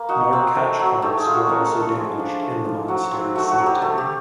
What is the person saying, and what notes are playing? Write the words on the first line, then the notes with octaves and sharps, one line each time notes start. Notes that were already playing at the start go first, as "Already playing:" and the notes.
More khachkars were also damaged in the monastery cemetery.
Already playing: A#3
D#4 F#4
C4
A3
F#3
A3 G4
G#4
F4
F#4
C#4 A#4
A4
A3
A4
F3 G#4
D4
A3
F3
F#3 F#4
C4
A3 F#4
F#4
F#3
G4
A3
G4